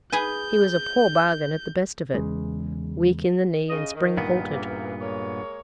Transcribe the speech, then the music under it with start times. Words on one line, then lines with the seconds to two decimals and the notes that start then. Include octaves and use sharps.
He was a poor bargain at the best of it--weak in the knee and spring-halted.
0.12 G#4 B4 G#5 G6
2.14 E2 C#3 G#3
3.69 C#3 D#5
3.94 D#3
4.17 G2 A#2 B3
4.49 C#3 E3 A#3
5.00 G#3 A#3 C#5